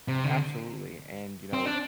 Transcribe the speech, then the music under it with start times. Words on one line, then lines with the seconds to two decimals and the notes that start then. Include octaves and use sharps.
Absolutely, and, you know,
0.08 C3
0.24 D3
1.53 C4
1.66 D4